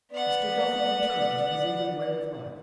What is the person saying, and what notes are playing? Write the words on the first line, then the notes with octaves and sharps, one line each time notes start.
Mr. Duffy returned to his even way of life.
B3 D5 F#5